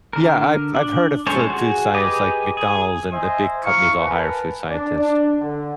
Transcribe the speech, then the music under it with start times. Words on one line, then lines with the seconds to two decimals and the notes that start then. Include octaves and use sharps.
Yeah, I've I've heard of f food science, like McDonald's and the big companies all hire food scientists.
0.13 D3 A#4
0.75 D4
1.27 G#3 C#4 A4 C5 C#5
1.50 F#4 G#4
1.94 G4 G#4 B4 D#5 D6
2.57 G#4
3.11 C5 D#5 E5 G#5
3.63 E4 F5 A#5 C#6
3.98 A#4 B4 G#5 A5
4.69 D4
4.99 D4
5.39 D3